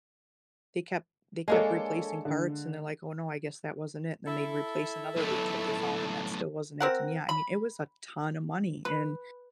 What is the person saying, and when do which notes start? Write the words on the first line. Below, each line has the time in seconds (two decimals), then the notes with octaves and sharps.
they kept they kept replacing parts, and they're like, "Oh, no, I guess that wasn't it." Then they'd replace another leak that they found, and that still wasn't it, and, yeah, I mean, it was a ton of money, and,
1.48 G#3 A#3 D4 A4 C#5 G#5
2.25 D3
4.26 E4 A4
5.17 B1 A2 A3
6.80 C4 A#4 F#5
7.29 B5
8.85 B4